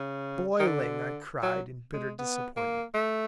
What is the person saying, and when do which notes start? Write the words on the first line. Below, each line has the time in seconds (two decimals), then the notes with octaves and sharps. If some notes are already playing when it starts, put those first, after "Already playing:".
"Boiling," I cried, in bitter disappointment.
Already playing: C#3
0.59 D#3
0.67 D3
1.43 F#3
1.94 G#3
2.19 B3
2.57 A#3
2.94 A3